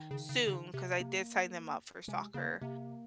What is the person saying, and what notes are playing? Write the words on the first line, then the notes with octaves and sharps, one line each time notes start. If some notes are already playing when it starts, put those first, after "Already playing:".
soon 'cause I did sign them up for soccer,
Already playing: D#3
C#3
C#3
C#3
C3
A#3
C3 G#3
C#3 A#3
C3 A#3